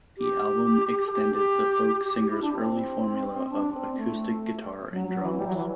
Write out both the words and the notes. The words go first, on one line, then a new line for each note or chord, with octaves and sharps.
The album extended the folk singer's early formula of acoustic guitar and drums.
G4
A4
G4
G4
G4
G4
E4
D4
C4
D4
C4
A3
F#3
F#3
E3
G3
F#3
E3